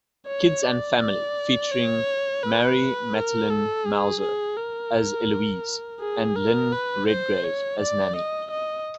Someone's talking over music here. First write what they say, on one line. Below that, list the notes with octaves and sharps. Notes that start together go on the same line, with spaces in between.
Kids and Family, featuring Mary Matilyn Mouser as Eloise and Lynn Redgrave as Nanny.
C#5
D5
D5
C#5
B4
A#4
A4
G#4
G#4
A#4
G#4
A#4
B4
C5
C#5
D5
D#5
D#5